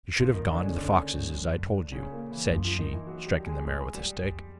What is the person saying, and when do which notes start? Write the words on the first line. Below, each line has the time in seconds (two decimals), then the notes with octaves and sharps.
'You should have gone to the foxes, as I told you,' said she, striking the mare with a stick.
0.20 A2 F3 F4
0.34 G#2 D#3 D#4
0.48 D3 D4
0.59 F#2
0.62 C#3 C#4
0.77 F2 D3 D4
1.16 G2
1.34 F#2
1.92 C#3 C#4
2.11 A#2 A#3
2.31 E3 E4
2.50 F#2 F3 F4
2.65 F3 F4
2.79 D#3 D#4
2.93 E3 E4
3.07 F#3 F#4
3.26 G3 G4
3.46 G#3 G#4
3.65 G2 G#3 G#4
3.94 F#2 G3 G4
4.23 F2